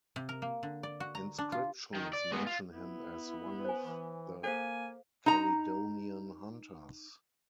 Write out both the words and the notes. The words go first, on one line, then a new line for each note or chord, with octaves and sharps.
Inscriptions mention him as one of the Calydonian hunters.
C3
A#4
A#3
D3
D5
F#4
A#5
D4
F4
D#3
D5
G#3 B3
F4
B3 E4
C5 G#5
E3
A#3 A4 C5 F5 G#5
D#4 A#5